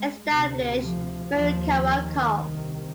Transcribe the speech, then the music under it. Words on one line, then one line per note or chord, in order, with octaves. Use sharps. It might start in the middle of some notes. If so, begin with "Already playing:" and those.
Established Marukawa Conf.
Already playing: G#3
D2 C3
F3
D#2 F3
D#3
C2 C3